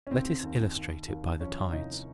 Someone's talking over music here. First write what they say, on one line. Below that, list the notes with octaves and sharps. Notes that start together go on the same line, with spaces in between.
Let us illustrate it by the tides.
C#4
D#2 C4
D#2
D#2
D#2
F3 C#4
C2 D#4